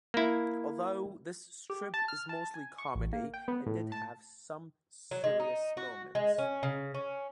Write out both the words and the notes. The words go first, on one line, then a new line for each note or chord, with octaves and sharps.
Although this strip is mostly comedy, it did have some serious moments.
A#3 E4
G4
A5
F6
A5
G#5
C#6
A1
A#3
G5
B3
A2
A5
F#3
G#3
D#4
F#4
G#3
C#4
C#3
C#4